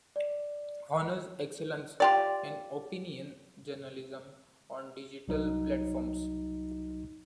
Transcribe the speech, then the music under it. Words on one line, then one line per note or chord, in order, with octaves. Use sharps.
Honors excellence in opinion journalism on digital platforms.
D5
F4 G4 D5
C2 F#3 D#4